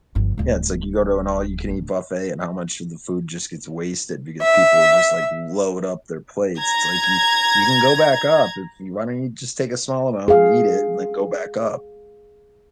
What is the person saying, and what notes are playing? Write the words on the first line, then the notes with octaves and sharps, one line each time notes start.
Yeah, it's like you go to an all-you-can-eat buffet, and how much of the food just gets wasted because people just, like, load up their plates. It's like you you can go back up if you why don't you just take a small amount and eat it and then go back up?
G1 F3
D1 G3
D1 D4
E5
A#5 G#6
G#4 F5